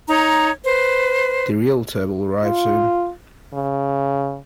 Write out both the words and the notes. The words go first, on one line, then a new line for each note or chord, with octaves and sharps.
The Realtor will arrive soon.
D#4 C#5 A#5
B4 C5
F4
C#3